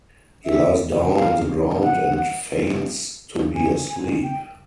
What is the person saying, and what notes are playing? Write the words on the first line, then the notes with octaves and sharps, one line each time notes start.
He lies down on the ground and feigns to be asleep.
E5
F5
F#5
G#5
G#5
G5